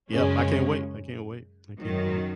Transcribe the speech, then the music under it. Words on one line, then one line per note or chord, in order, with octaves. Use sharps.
Yep, I can't wait, I can't wait, I can't wait.
F#2 C#3 G#3 C#4
F#2 D#3 F#3